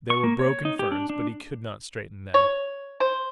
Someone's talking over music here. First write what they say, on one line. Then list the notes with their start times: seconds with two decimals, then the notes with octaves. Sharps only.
There were broken ferns, but he could not straighten them.
0.10 C#6
0.24 A#3
0.39 C#5
0.65 D#4
0.79 G4
0.92 D4
1.10 D4
2.34 C#5
3.00 C5